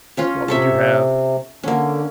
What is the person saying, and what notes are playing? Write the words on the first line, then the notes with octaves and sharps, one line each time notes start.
What would you have?
C#4 F4 C#5
C3 A4 C#5 E5
D3 A#3 C#4